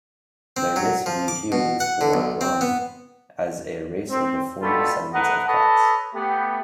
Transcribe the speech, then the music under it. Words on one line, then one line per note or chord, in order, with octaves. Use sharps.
Their myths view humans, or "M'an", as a race of deformed descendants of cats.
C4
F#3
F3
D6
B2
F#5
D3
B1
C4
B3
C4
B2 G3 A3 F4 A4 B5
A3 A#4 B4 D#5 F#5
A4 B4 C#5 D#5 A5
A3 B3 G4